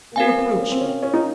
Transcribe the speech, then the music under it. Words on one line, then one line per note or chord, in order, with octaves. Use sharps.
Reproach me.
A#3
C4 F#4 A#4 F5 G#5
C4
C#4
C4
C#4
C#4
D#4